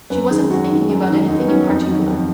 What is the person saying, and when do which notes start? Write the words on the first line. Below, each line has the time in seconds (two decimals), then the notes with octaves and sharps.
She wasn't thinking about anything in particular.
0.10 F#2 B4
0.30 D#3 G#4
0.35 G#3
0.50 F#2 F#4
0.70 D#3 G#3
0.89 F#2
1.09 D#3 F#3
1.28 F#2 D#4
1.38 B3
1.48 D#3 F#3 C#4
1.67 F2 D#4
1.87 D#3 F#3
2.06 F2